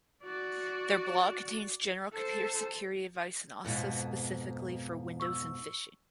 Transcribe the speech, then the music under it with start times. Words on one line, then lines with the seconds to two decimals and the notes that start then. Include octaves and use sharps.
Their blog contains general computer security advice and also specifically for Windows and phishing.
0.24 F#4 D5
2.13 A4 C5
3.65 F2 G#2 B2
5.20 C#6 E6